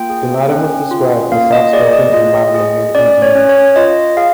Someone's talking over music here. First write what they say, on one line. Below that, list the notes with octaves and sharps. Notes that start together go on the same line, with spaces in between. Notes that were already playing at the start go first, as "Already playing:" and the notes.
Bin Laden was described as soft-spoken and mild-mannered in demeanor.
Already playing: A#3 F4 G5
G#4
C#4
F4
A#3 F5
D#5
G#4 D5
D#5
F4 D#5
G#4
C#4 D5
C#5
C#4
C#5
F4 D#5
G#4 F5